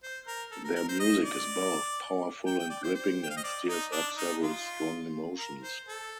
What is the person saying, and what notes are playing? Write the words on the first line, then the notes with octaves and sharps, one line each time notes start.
Their music is both powerful and gripping and stirs up several strong emotions.
C5
A#4
A4
A#4
A#4
C5
D#5
D5
G5
G5
D5
C5
C5
G5
F5
D#5
D5
D#4
D4
D#4
F4
A#4
C5
A4